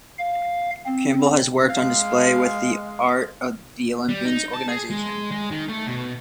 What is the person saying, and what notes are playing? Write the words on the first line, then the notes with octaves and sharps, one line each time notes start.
Campbell has works on display with the Art of the Olympians organization.
F5
C4
G#3 F5
G3
D#4
A5
G#4
G#3
G#3
D#3
A3
B2